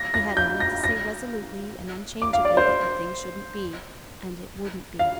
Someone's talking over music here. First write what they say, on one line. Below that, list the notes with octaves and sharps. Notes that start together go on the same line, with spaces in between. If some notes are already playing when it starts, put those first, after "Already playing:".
He had only to say resolutely and unchangeably that the thing shouldn't be, and it wouldn't be.
Already playing: A#6
A#6
G6
A#6
A#6
D6
F5
D5
C5
F5